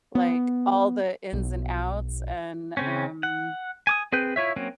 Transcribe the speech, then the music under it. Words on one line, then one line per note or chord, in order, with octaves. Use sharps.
like, all the ins and outs and, um,
B3
B1
C#3 C4 C#4
F#5
G#5 D6 D#6
C4 G#4 B4 G5
E4 F4 C#5 E5
F#3 A#3 C4 C#4